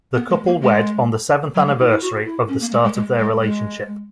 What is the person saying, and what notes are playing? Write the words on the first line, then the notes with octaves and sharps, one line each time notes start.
The couple wed on the seventh anniversary of the start of their relationship.
B3
G#3
A#3
G#3
F#3
G#3
E4
E4
F#4
E4
C#4
A#3
G#3
G#3
G#3
G#3
G#3